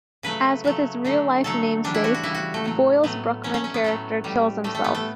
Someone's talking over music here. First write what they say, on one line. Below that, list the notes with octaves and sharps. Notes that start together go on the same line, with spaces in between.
As with his real-life namesake, Boyle's Bruckman character kills himself.
C#3 F#3 A3 B4
C#3 F#3 A3
D3 F#3 A3
D3 F#3 A3 A4
C#3 E3 G3 D4
E4
F#4
F#4
C#3 E3 G3 E4
F#4
A3
A2 F#3 A3
A2 F#3 A3 B3
A2 F#3 A3 C#4
C#4
C#4
B3
A2 F#3 A3
A2 G3
A2 G3 A3
A3
B3
A3